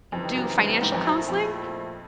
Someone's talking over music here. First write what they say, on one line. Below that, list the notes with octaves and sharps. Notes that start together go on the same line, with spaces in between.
do financial counseling,
F2 C#3 E3 G3 C4 D#4
F#2
G2
G#2
F2
F#2 A#2 F3 A3 C4 E4
F2